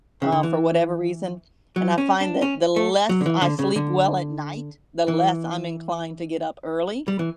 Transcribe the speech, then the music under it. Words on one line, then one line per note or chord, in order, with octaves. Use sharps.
uh, for whatever reason, and I find that the less I sleep well at night, the less I'm inclined to get up early,
C#3
D3
E3
F#3
C#4
D4
C#4
A3
F#3
D3
E3
D3
C#3
D3
E3
G3
E3